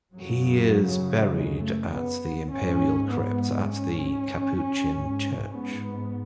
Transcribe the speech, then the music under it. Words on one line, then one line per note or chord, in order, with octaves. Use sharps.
He is buried at the Imperial Crypt at the Capuchin Church.
F#2 C#3 F#3
G#3
A3
B3
G#2 C#4
B3
C#4
G#2
B3